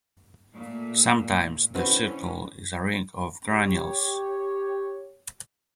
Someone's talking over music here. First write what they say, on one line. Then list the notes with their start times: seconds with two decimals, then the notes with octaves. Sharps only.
Sometimes the circle is a ring of granules.
0.55 A#2 A3
1.75 D3 E3 C4 C#4 F#4 B4
3.49 G4 C#5